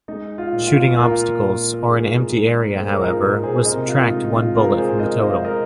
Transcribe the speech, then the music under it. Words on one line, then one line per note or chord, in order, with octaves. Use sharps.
Shooting obstacles, or an empty area, however, will subtract one bullet from the total.
G#3 D#4
F4
A#2
F4
A#2 F4 A#4
A#2
G#3 D#4 G#4
G#3
G#3 C5
A#4
G#4 C5
F4 A#4
D#4
A#2 F4
G#4 C5
C3 A#4 D#5
F4
G#3 D#4
F4
G#3 F4 A#4
G#4 C5
G#3 A#4 D#5
C5 F5
G#3 A#4 D#5